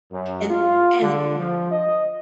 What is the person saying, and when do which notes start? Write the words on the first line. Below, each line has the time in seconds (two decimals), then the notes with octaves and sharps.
and and
0.12 F#2
0.50 F4
1.02 D3
1.38 F3
1.71 D#5